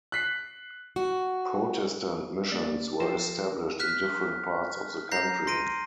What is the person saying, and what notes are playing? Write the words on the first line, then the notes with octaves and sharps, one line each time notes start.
Protestant missions were established in different parts of the country.
F#6 B6 C7
F#4
A#3 D5
F3 A4 A#4 C5 G5
F6 F#6 B6
A#5 G6 A#6 C7
C6 A#6 D7 D#7